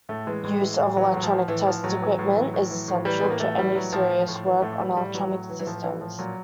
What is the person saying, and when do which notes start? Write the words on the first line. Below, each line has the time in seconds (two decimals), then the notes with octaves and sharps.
Use of electronic test equipment is essential to any serious work on electronics systems.
0.09 A2 A3
0.27 E3 G#3
0.44 A2 G#3
0.61 E3
0.79 A2
0.97 E3 F#3
1.13 A2 F#3
1.23 F3
1.31 E3
1.48 A2 E3
1.66 E3 F3
1.84 A2 F#3
2.01 E3
2.19 A2
2.36 E3
2.54 A2
2.70 E3
2.88 A2
3.05 E3 G3
3.21 A2 B3
3.30 A#3
3.40 E3 A3
3.58 A2 G3
3.75 E3 F#3
3.93 A2 F3
4.10 E3
4.28 A2
4.45 E3
4.62 A2 A3
4.79 E3 G3
4.97 A2 G3
5.14 E3 F#3
5.32 A2
5.49 E3
5.59 E3
5.66 A2 F3
5.83 E3
6.01 A2 F3
6.19 A#2 F#3